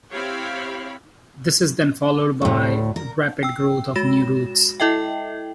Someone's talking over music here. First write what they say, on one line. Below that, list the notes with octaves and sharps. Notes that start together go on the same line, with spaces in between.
This is then followed by rapid growth of new roots.
C4 E4 G4 C#5 F5 B5
D2 A2
A#4
G5 E6
G#3 F#4 A#6 E7
E4 A4 D#5 E5 G5